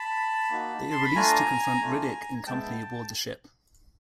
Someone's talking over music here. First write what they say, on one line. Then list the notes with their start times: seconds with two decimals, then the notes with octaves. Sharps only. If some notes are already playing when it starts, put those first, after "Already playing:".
They are released to confront Riddick and company aboard the ship.
Already playing: A5 B5
0.51 A#3 D#4 F#4
0.91 C6
1.04 B5
1.15 A3 D4 F4 G#5 A#5
1.82 A3 D4 F4
2.47 G#3 B3 E4 G5 A5